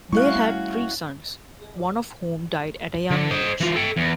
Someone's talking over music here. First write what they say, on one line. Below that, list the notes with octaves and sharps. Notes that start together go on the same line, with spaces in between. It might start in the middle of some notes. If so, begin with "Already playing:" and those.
They had three sons, one of whom died at a young age.
G3 A3 C#4 E4 F#4 F5 C#6 F#6
D3
C5 D#5
E3 F4
A4 G5
E2